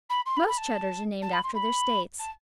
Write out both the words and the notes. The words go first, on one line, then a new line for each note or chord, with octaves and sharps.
Most Cheddars are named after their states.
B5
C6
B5
B5
A5
A5
B5
C6
B5
A5